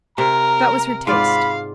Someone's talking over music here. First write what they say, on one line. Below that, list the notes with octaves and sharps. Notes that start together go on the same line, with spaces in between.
That was her taste.
C3 A#4 A#5
G#2 F4 D5 F5 B5